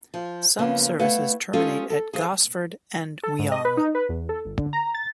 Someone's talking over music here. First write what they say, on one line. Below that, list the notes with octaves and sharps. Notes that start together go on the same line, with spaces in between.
Some services terminate at Gosford and Wyong.
F3
C#3 F3 A#3 B3
A3 E4 B4 F5 F#5
G#3 C#4 F4 G4 A4
A4
F3 G#4
A4
G#2
D#5
B4
D#4
B4
E2
A4
G1
D3
A#5
A6